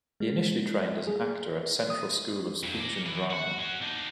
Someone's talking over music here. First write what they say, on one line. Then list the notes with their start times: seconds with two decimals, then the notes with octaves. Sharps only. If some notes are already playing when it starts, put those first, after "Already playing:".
He initially trained as an actor at Central School of Speech and Drama.
0.20 G#3
1.07 G#4
1.90 D#6
2.64 F2 F#3
2.80 A#4 D5
3.06 E3
3.30 F#4 F#5
3.58 C#4 F#4
3.82 D4 D#4